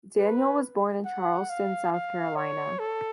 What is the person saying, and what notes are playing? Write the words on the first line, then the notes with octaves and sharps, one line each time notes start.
Daniel was born in Charleston, South Carolina.
B4
F#5
F5
F5
C#5
A4